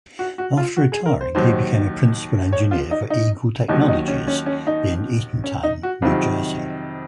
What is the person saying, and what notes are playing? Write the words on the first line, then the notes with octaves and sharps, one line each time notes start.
After retiring he became a principal engineer for Eagle Technologies, in Eatontown, New Jersey.
F#4
F#4
F4
F#4
G#4
A#4
C5
D#2 D#3 F#3 C5
C#5
F4
D#4
D#4
D#2 D#3 F#3 D#4
D#4
C#4
C#4
C#4
D#4
C#4
D#4
F#4
F2 C3 D#3 F#3 F4